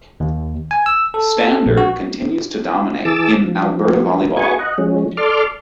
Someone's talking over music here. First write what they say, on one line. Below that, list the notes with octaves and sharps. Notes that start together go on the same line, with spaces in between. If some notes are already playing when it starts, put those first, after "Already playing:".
Standard continues to dominate in Alberta Volleyball.
D#2
G#5
E6
A4
A#1
F#4
E3 G#4 A5 D6 E6
F3
F#4 G#4 B4 G#5 C#6
D#5 F#5
F3 G#3 C#4
A4 D5 C6 D6 F6